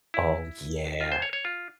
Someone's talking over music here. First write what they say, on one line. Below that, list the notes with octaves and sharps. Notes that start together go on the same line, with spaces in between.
Oh, yeah.
E4
F4
C5
C#5
C#5
F4